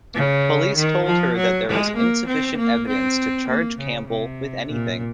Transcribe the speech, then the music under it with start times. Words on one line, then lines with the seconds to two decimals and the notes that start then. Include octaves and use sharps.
Police told her that there was insufficient evidence to charge Campbell with anything.
0.15 C#3
0.76 D#3
1.05 F3
1.36 F#3
1.67 G#3
1.97 A#3
2.27 C4
2.57 A#3
2.87 C4
3.48 A#3
3.78 C#3
4.08 C3
4.69 A#2